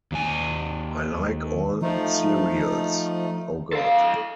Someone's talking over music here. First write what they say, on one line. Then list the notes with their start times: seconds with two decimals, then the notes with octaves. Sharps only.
I like all cereals... Oh, God.
0.12 D#2 G#5
1.82 F3 A3 D#4
3.73 A4 F5